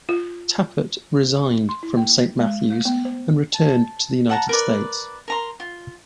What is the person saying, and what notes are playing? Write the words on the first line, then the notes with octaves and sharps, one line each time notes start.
Tappert resigned from Saint Matthew's and returned to the United States.
F4
C6
E4
A#3
G#3
A3
B3
C5
A5
F#5 A5 A#5
A#4 B4 D5
A#4 A#5 C6
F4